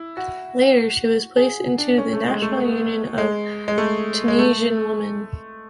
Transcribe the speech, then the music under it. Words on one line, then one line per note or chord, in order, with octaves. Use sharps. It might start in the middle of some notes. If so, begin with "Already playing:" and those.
Later she was placed into the National Union of Tunisian Women.
Already playing: E4
F#4
G#4
D4
C#4
A3
G#3
A3
B3
G#3
G#3
A3
G#3
A3